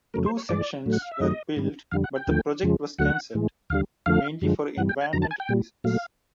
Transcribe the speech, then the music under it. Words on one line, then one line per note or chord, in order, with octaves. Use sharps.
Two sections were built but the project was cancelled, mainly for environmental reasons.
F2 C#3 F#3 A3 A#4
C5
C#5
G2 E3 G#3 D5
A2 F#3 A3
F#5
F5
E5
F#2 D#3 F#3 A3 D#5
G#2 D#3 G3
F2 D3 G3 F5
F#5
G5
D#2 D3 F3 A3
F2 C#3 F3 G#3
D2 D3 F#3 A3 F#5
A2 E3 G#3
D#2 D3 G3 F5
F2 D3 F3 A3 F5
F#2 D3 F3 G#3
G2 E3 G3 F#5
G5
G#5
F2 D3 F#3 A#5
A5
G#5
G5
A#2 G3
A#2 F#3 A3 F5